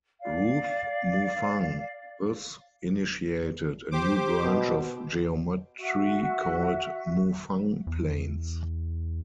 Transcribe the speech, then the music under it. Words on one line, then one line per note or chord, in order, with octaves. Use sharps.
Ruth Moufang thus initiated a new branch of geometry called Moufang planes.
D5 F5
G4 C5 D6
B2
F#4 E5
E2